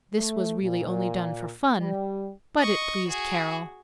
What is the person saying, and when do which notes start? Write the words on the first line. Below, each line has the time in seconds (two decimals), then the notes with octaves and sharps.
This was really only done for fun, but it pleased Carol.
0.18 A3
0.63 A#2
1.80 G3
2.58 D#5 C#6
3.08 F#4 G#4